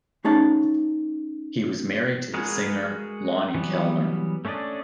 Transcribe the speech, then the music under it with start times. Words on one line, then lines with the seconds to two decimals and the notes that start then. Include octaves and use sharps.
He was married to the singer Lonny Kellner.
0.24 A3 C#4 D#4 G#4 A5
2.34 G#3 F#4 G#4 A#4 B4
3.55 E3 F#3 G3 B3
4.45 A3 C#4 D4 D5 D#5